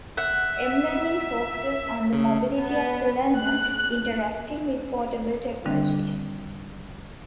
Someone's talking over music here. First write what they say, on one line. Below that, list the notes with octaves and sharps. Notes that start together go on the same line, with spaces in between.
M-learning focuses on the mobility of the learner, interacting with portable technologies.
E5 F#5
C#3
B3
F#6
D3 D#3 G3 C4 D4